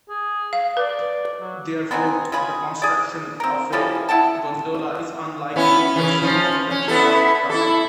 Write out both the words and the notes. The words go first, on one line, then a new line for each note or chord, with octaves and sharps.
Therefore, the construction of a gondola is unlikely to proceed in the short term.
G#4
F5
B4 D5
F#3
B3 C4 D#4 G#4
C#3 F4 G#4 B5
G#4 D5
C4 A#4
E3 F3 G3 C#4
E4 F#5 G5 A5
B3 C#4 E4
C#3 E3
F3 C#4
C#4
B3 E4 A4
E4 A4